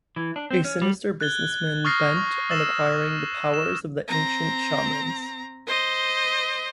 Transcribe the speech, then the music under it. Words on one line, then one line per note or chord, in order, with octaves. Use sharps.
A sinister businessman bent on acquiring the power of the ancient shamans.
E3
D4
C4
C#4
G3
F#6 G#6 A6 G7
C#6 D#6 F6 A6 A#6 C7
C#6
E6 A6 E7
C#6
E7
C4 A#5
C5 D#5